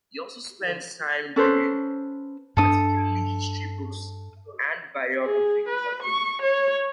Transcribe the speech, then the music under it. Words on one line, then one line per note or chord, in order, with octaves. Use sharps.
He also spends time reading, particularly history books and biographies.
C#4 A4 B4 C5
G2 D4 A4 D#6
G#4
B4
C#6
C#5